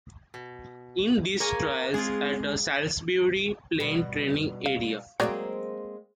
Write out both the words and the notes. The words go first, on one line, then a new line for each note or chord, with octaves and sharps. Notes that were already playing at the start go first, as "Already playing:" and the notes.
In these trials at the Salisbury Plain training area.
B2
A#3 G#4 A#4 C#5 G#5
G#3 C4 F4 G#4
B2 G3
F5
F#3 G#3 A#3 C4 C#5 D5